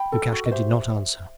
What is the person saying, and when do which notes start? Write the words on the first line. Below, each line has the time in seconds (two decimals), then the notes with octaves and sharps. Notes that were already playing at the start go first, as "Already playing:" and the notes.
Lukashka did not answer.
Already playing: G5 B5
0.12 A4
0.32 F#4
0.45 D#5
0.51 G4 C5 E5